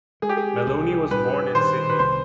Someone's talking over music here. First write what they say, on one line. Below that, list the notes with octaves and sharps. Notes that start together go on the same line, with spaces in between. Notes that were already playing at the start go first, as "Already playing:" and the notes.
Melouney was born in Sydney.
G#3 G#4
G4
G#4
C2
G2 B4
D#3 C5
B4
C2 C5